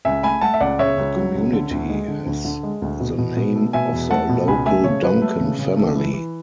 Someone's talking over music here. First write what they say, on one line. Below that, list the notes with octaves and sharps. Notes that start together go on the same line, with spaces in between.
The community has the name of the local Duncan family.
C#2 E5 G#5
A3 G#5 B5
A3 F#5 A5
E5
C#2 D5 F#5
C#3 C#5 E5
C#2
F#3
C#2
D3
D2
G#3
D3
D2
D3
G#3
D2
B2
B2
B2
A3
B2 E5 G#5
E2
A3 F#5 A5
B2
C#2 G#5 B5
A3 E5 G#5
C#3 C#5
F#3 B4
A3
C#3
C#3
A3
E3
E3